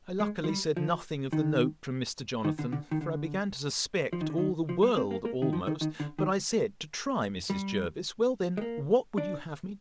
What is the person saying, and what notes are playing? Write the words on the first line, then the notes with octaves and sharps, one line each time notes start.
I luckily said nothing of the note from Mr. Jonathan; for I began to suspect all the world almost: but I said, to try Mrs. Jervis, Well then, what would you have me do?
G#3
F3
G3
F3
D#3
D#3
D3
D3
D#3
D3
F3
D#3
D3
D#3
F3
G3
C4
A#3
A#3
D#3
F3
D#3
D#3
D3
D#3
G3
G#3
A#3
D4